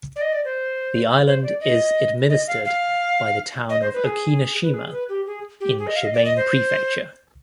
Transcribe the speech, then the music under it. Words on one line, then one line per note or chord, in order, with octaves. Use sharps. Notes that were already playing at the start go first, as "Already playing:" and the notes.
The island is administered by the town of Okinoshima in Shimane Prefecture.
D5
D#5
D5
C5
C5
D5
D#5
D#5
F5
F5
D#5
C5
B4
G#4
B4
G#4
B4
G4
G#4
G4
G#4
D#5
F5
D#5
D5
D#5
C5